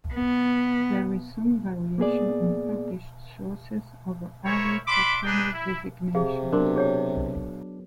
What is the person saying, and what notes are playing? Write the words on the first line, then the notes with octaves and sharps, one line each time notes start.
There is some variation in published sources over early Caproni designations.
B3
A#3 B3 G#4 D5
E4 A#4 C5 C#5
D4 E5 B5 C6 D6
D4 D#4 G#4 B4 G5
E4
C3 G4 G#4 F5
F#3 B3 D4 A#4 C6
G#4 C#5 G5